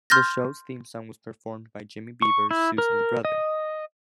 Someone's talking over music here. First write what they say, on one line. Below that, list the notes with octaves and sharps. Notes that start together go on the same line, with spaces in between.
The show's theme song was performed by Jimmy Beavers, Susan's brother.
C6 F6 G6 A6 A#6
C#6
E4
A#4
D#5